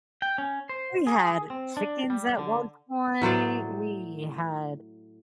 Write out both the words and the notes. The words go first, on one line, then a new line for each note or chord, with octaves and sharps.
we had chickens at one point, we had
G5
C#4
C5
G#4
C4
D4
G3
D3
A2 F#3 C5 D5